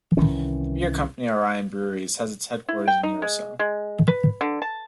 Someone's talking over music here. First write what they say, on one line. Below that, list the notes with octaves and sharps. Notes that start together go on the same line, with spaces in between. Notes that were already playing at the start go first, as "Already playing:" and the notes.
The beer company Orion Breweries has its headquarters in Urasoe.
C2 D#3 E3 C#4
E4
G5
D#4
G#3
G#3
B4
D3
A5